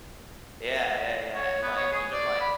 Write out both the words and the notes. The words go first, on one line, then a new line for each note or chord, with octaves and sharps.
Yeah, yeah, yeah, and, like, even, like,
C#5
B3
C#5
G#4
D5
B5